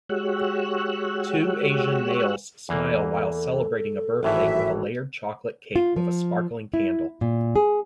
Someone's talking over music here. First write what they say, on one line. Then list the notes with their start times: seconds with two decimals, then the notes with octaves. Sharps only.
Two Asian males smile while celebrating a birthday with a layered chocolate cake with a sparkling candle.
0.09 G#3 F#4 G4 C#5 E6 F#6
2.69 E2 E3 A#3 A4
4.23 G#1 A2 E3 F#4 E5
5.76 F4
5.96 F3
6.74 E4
7.21 A#2
7.56 G#4